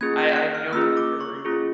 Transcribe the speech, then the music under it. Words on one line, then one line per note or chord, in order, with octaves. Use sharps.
I I have no particular reason.
A#3 C#4 F4 G#4 G#6
G6
F#6
F6
A#3 C#4 F4 G#4 E6
D6
C#6
A#3 C#4 F4 G#4